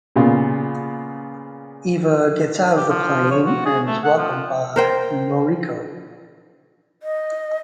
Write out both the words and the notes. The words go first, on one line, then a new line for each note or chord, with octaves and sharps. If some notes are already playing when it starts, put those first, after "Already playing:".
Eva gets out of the plane and is welcomed by Noriko.
A#2 C#3 B3 F4
G4
F3
C#5
F#4
G#4
A3
F#5
F3
A#4 C5 G5
D#5